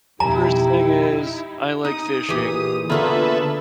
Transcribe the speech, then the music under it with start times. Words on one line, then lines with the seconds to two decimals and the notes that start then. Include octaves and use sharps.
First thing is I like fishing,
0.20 F2 B2 D#4 E4 G4 A#5
1.85 D#4 D#6
2.29 A#2 E3 G4 G#4
2.90 D3 A#3 B3 F4 G#4 A4 B4 E5